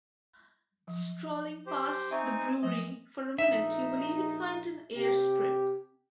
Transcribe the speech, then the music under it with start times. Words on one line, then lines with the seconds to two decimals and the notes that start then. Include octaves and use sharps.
Strolling past the brewery for a minute you will even find an airstrip.
0.87 F3 F#3
1.67 G4 C5
2.11 C4 D#4 E5 G#5 C#6
2.62 F3 F#3 A3 D#5
3.39 A#1 D#4 E5
4.95 C3 G4